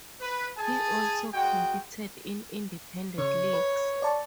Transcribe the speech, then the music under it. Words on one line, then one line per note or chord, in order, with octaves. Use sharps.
He also competed in independent leagues.
B4
G#4 G#5 A5
G#3 F#4 G5
C#3 C#5
B4
D5 A5 C#6